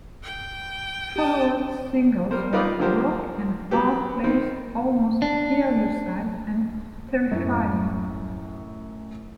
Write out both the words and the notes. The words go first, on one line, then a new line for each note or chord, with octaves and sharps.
Follow-up singles were "Rock and a Hard Place", "Almost Hear You Sigh" and "Terrifying".
G5
G4 A5 D#6
G3 A#4 C5
D#4 F4 A#4 B4 D5 D#5
D3 F3 A#3 G4 A#4 C5
F#3 B3 G4
D#3 C4
D4
F#2 A2